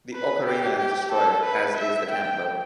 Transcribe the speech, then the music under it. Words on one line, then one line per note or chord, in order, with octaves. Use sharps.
The ocarina is destroyed, as is the Campbell.
B4
G4
G4
A4
B4
E5
G5